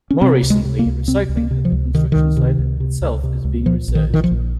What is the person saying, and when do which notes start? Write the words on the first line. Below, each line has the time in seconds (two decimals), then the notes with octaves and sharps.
More recently, recycling at the construction site itself is being researched.
0.11 C#4
0.21 C3 C4
0.43 C#2
0.50 G#3
0.65 C3
0.79 A#3
0.86 C#2
1.08 C3 C4
1.29 C#2
1.37 A#3
1.51 C3
1.65 F3
1.72 C#2
1.94 C3 D#3
2.12 C#2 D#3
2.37 C3
2.59 C#2
2.80 C3
3.01 C#2
3.24 C3
3.45 C#2
3.66 A#2 F3
3.88 A#1
3.95 D#3
4.10 A#2 D#3
4.24 F3
4.31 A#1